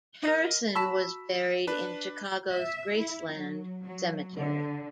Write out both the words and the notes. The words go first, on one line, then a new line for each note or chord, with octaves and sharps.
Harrison was buried in Chicago's Graceland Cemetery.
A#4 D#5
F#4 A5 B5 E6 B6
D4 B4
E5
E4
F#3
F#3
D3